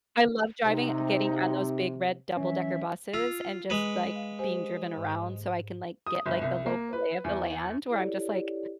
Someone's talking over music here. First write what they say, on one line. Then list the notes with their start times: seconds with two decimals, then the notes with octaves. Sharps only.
I love driving getting on those big red double decker buses and just, like, being driven around so I can, like, get, like, the local lay of the land where I'm just like,
0.65 C3 D#4
2.37 E3 F#3 C#4 E5
3.14 F4 E6
3.70 G#3 B4
4.15 F5
4.39 G4 C5 G#5
4.97 G#2
6.06 D#6
6.26 G1
6.42 C2
6.66 A#3
6.93 B4
7.24 E2
7.90 E4 G4 A4 C#5 D5